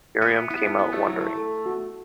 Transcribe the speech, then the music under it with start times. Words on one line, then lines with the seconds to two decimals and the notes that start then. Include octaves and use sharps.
Miriam came out wondering.
0.22 B3 E5
0.50 B3 E4
0.79 B3 E4
0.93 A3
1.08 F#3 E4
1.21 A3
1.37 A4
1.66 F#4